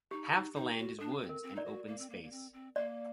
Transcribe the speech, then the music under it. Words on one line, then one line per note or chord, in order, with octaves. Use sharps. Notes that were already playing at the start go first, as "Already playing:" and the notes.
Half the land is woods and open space.
D#4 G4
D#4
D#4
F#4
D4 A4
C4
A#4
C4
D#4 D5
F#4
A#3
C4
A#3
A#3
C4
C4
A#3 D5